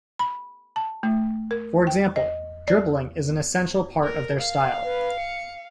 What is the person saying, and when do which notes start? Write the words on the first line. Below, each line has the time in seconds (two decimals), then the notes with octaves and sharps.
For example, dribbling is an essential part of their style.
0.19 B5
0.76 A5
1.03 A3
1.51 A#4
1.87 G5
2.16 D#5
2.68 D5
4.03 A#4
4.39 F5
4.84 B4
5.18 C#7